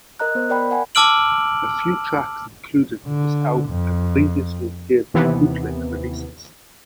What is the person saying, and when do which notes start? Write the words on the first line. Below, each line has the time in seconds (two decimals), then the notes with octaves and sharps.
A few tracks included in this album have previously appeared on bootleg releases.
0.20 A#4 D#5 A#5 F#6
0.35 B3 C5
0.50 A#4 D5 G5 B5
0.71 F#5 G#5
0.95 A5 D6 E6 F6 D7 F#7
3.07 D3
3.69 F2
5.14 D#2 C3 E3 B3